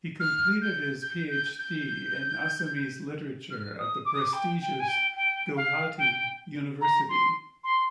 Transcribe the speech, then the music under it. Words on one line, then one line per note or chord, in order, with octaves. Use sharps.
He completed his PhD in Assamese literature at the prestigious Gauhati University.
F6
G6
G6
G6
G6
F6
D#6
D6
D#6
D6
G5
G5
G#5
G5
G5
F5
G5
A#5
C6
C6